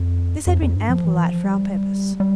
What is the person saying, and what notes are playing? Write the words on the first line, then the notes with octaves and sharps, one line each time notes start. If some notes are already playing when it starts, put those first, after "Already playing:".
This had been ample light for our purpose.
Already playing: F2
F2
F2
G2
F3
E3
F3
G3
G3